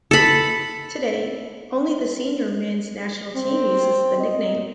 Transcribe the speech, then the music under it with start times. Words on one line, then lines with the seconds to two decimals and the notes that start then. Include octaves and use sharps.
Today, only the senior men's national team uses the nickname.
0.11 A4 B5
3.36 C4
4.20 D#5